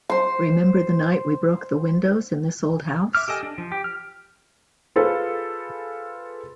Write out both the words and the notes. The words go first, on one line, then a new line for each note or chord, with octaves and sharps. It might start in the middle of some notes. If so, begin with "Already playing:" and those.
Remember the night we broke the windows in this old house?
C5 C6
E5 D6 F6
G4 A4 D#5 G#5
D4
F3
G4
F6
F4 G#4 A4 B4 C5